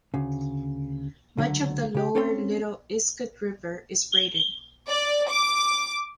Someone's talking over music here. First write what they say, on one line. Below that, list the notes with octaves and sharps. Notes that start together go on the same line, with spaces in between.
Much of the lower Little Iskut River is braided.
D2 C#3
C#2 D3 F#3
C#3 G4
C4 C#4 A4 C#5 G#5 C6
D5
D6